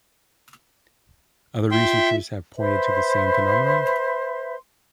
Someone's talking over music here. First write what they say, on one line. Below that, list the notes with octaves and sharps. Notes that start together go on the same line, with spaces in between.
Other researchers have pointed to the same phenomenon.
F4 E5 G5 C6
B4 C5 E5 C6